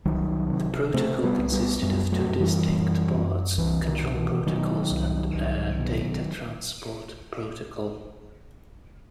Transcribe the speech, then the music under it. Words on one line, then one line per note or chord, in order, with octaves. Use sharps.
The protocol consisted of two distinct parts: control protocols and a data transport protocol.
C2 D#3 F#3
C3
C3 A3 C4
G3 B3
C2
G3 B3
F#2 G3 B3
F#3 A3
F#2
E3 G3
F#2
F#2
C2 E3
D#3
B2
E3
B2 D#3 F#3
C2
C2
B2